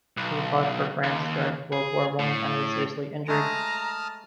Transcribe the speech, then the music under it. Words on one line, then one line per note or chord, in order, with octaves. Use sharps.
He fought for France during World War One and was seriously injured.
B1
D#2
G#4
A2
G#3 A3 A5 A#5 D#6 F6